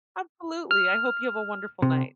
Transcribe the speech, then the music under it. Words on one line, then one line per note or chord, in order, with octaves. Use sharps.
Absolutely. I hope you have a wonderful night.
F6
C3